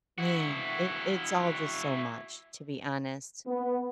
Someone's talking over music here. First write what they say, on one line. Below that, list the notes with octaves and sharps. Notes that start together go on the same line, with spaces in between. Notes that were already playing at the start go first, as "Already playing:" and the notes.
man, it it's all just so much, to be honest.
E4 F#4
B3